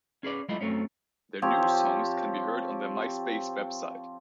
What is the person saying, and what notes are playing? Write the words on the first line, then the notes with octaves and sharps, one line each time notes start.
Their new songs can be heard on their MySpace website.
C#4 G#4 B4 D5
F#3 G#3 A3 E4 F4 D#5
F#2 F#3 A3 C4 C#4
F3 C4 G4 C#5